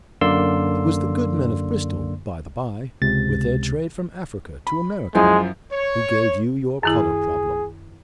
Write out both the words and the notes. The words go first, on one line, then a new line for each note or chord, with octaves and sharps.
It was the good men of Bristol, by the bye, with their trade from Africa to America, who gave you your colour problem.
F#2 D3 A#3 D5 C6 E6
C#2 C3 A6
B5
F#2 F3 G#3 E4
C#5
F#2 D#3 E4 G#4